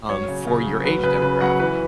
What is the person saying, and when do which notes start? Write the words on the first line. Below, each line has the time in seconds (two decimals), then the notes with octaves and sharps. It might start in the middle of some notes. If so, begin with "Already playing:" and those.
um, for your age demographic.
0.09 F#3 C#5
0.28 C#3
0.47 C#3
0.66 F#3
0.85 F#3 B4
1.03 C#3 B4
1.22 C#3 B4
1.41 F#3 F#5
1.60 E3 B4